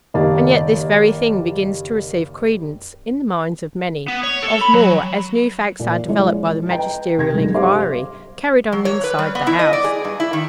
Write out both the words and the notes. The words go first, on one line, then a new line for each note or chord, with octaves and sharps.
And yet this very thing begins to receive credence in the minds of many--of more, as new facts are developed by the magisterial enquiry, carried on inside the house.
F#1 D#3 G3 A#3 A5
B3
C#5
A4
B5
F#3
A#2
F3 G#3 E4 G#4 C#5 D5
B4 D#5 G5 A#5
C3 G#6 A#6
B1 G2 F3 G#3
G4 C5 F5 C6 D6
F#3
C#5
B4
G3
B3
E4
D#5
D5
G#4
G2
E4
D#3